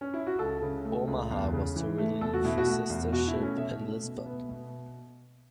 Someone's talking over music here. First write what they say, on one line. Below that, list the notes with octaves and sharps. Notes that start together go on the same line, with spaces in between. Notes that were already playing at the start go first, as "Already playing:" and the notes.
"Omaha" was to relieve her sister ship in Lisbon.
C#4
E4
F#4
C#2 A4
C#3
A3
C#2
E2
C#3
E3
A3
E2 A4
F#4
B2 E4
F#4
A3
E2
B2 F#4
E4
A3
C#4
B2 E5
A3
B2
B3
B2